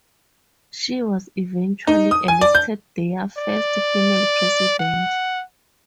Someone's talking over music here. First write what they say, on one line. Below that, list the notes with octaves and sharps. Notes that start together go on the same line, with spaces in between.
She was eventually elected their first female president.
D#4
D#6
G#5
D5
G6
D5
F#5